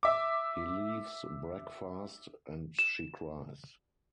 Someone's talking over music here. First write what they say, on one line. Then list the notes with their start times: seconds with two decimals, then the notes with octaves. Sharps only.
He leaves breakfast, and she cries.
0.03 E5 D6
2.79 E7